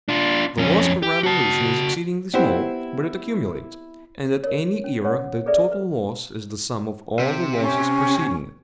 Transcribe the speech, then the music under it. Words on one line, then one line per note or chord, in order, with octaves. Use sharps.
The loss per revolution is exceedingly small, but it accumulates, and at any era the total loss is the sum of all the losses preceding it.
D4 F4
F2 C#4
G4
F#4 A5
B3 C4 E4 G4 C5
A#4 C#5
C#4
C#5 F#5
G#4 A4 B4 D5 E5
B4
C3
C#4